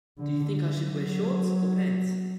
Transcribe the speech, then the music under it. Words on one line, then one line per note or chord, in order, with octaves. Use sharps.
Do you think I should wear shorts or pants?
D3
F#3